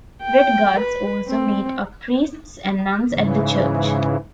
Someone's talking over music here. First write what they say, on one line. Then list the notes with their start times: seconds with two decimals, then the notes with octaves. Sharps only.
Red Guards also beat up priests and nuns at the church.
0.23 G5
0.80 B4
1.27 C4
3.09 G#2 C#3 E3